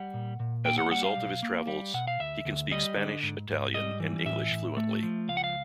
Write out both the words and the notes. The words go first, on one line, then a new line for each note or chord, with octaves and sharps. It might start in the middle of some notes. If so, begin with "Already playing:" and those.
As a result of his travels, he can speak Spanish, Italian and English fluently.
Already playing: G3 F#5
A#2
A#2
A#3 G5
F#5
G3 F#5
F5
B1
A#3
G3
B2 F#5
F5
D2 E5
D2
G3 D#5
D3
G#2
G#2
G3 D#5
E3
A2 E5
A2
A3
F3
C#2 F5
F#5
F5